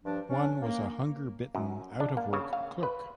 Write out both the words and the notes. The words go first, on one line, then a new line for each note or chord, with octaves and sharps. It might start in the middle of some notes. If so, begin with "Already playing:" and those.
One was a hunger-bitten, out-of-work clerk.
G2 F3 D4
C#4 D4
A#3
F#2
D4
A#3
C#3
F5
B4